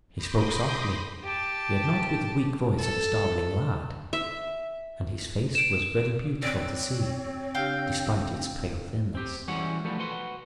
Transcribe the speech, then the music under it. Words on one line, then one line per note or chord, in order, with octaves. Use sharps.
He spoke softly, yet not with the weak voice of a starving lad; and his face was very beautiful to see, despite its pale thinness.
B5 C6 D6 D#6 G6 A#6
G4 A5
A4
E5
D7 E7
C4 C#5 D5 F#6
C#3 D4 G4 F5 G5
C4 G4
E3 G3 G#3 C#4 F#4 F#5
F3 G3 A3 B3 F#4
F#4 B4 F#5 C6